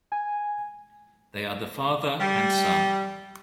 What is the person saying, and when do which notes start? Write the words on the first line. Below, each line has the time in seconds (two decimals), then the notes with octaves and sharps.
They are the Father and Son.
0.12 G#5
2.20 G3